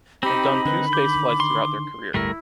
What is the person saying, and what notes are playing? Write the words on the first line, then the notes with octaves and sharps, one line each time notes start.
They’ve done two space flights throughout their career.
C4 D#4 G4 B5
D3 D#3 B4
D6 G6
C6
D1 G1 G3 A3 E4 A#4